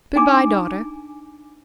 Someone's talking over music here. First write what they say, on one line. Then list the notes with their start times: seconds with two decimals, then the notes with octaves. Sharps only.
Good-bye, daughter.
0.16 D4 D#4 G#5 A#5 D6